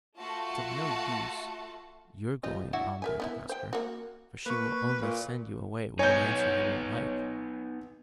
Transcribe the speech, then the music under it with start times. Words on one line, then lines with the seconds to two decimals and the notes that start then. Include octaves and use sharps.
It's of no use your going on there to ask her, for she will only send you away with an answer you won't like.
0.19 A3 F4 F#4 A5
2.43 G3 F4 D#5
2.73 D4 E4 F#4
3.02 A#4 E5 G#5
3.20 B3 D#4 E4
3.49 C5 G5
3.73 A#3 F#4
4.46 A#3 B4 C#6
5.02 A#2
5.99 B3 D#4 C#5 G#5 G6